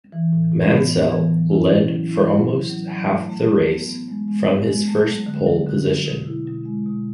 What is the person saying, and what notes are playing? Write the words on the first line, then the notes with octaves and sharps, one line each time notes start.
Mansell led for almost half the race from his first pole position.
E3
A2
A2
B3
B3
E3
F#3
E4
C#4
F#3
E4
F#3
F#3
F#3
F#3
A3
A3
F#3
B3
B3
G#3
G#3
B3
G#3
A3
F#3
D3
F#3
D3
D3
B2
E4
B2
G#3
B2